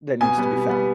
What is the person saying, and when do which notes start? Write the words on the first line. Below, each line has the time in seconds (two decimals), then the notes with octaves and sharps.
that needs to be found.
0.21 B2 G#5
0.37 G3 B3
0.53 B2
0.70 G3 B3